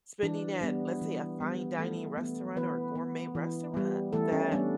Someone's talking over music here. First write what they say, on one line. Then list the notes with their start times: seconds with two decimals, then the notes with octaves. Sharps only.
spending at, let's say, a fine dining restaurant or a gourmet restaurant that
0.23 E3 D4
0.61 G3 B3
1.01 E3
1.40 G3 B3
1.79 E3 A3 A4
2.18 B3
2.56 E3 B3 B4
2.95 B3
3.35 E3
3.74 G3 B3
4.13 E3 A3 A4
4.32 C#4
4.52 G3 B3 D4